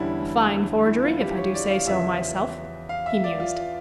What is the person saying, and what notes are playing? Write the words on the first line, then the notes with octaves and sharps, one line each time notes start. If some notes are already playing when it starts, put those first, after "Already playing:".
"A fine forgery, if I do say so myself," he mused.
Already playing: E2 D3 G3 C#4 E4
E4
F4
G4
C#5
D5
F5
E2 C#3 F3 C#4 E5
F5
E5
D5
F4